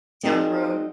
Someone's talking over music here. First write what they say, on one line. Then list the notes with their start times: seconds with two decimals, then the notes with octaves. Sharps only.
down the road?
0.23 C4 D#4 F#4 G#4 A#4 D5